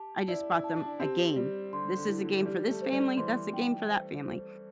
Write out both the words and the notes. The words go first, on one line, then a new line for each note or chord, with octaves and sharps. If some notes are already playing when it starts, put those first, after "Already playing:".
I just bought them a game, "This is a game for this family, that's a game for that family."
Already playing: G4 A5
E4 D5
E4
A5
D4
C4 G4
G3 G4
D3 C6
D3
E4
D3
E3
G3 G4
A3
C5
G3
E3 C6
G5
C5
C5